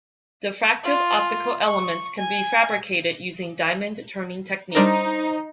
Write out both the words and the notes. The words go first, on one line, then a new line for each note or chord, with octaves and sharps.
Diffractive optical elements can be fabricated using diamond turning techniques.
F4
C#6
G#5
G3 D4 D#4 A#4 C5 D#5 A#5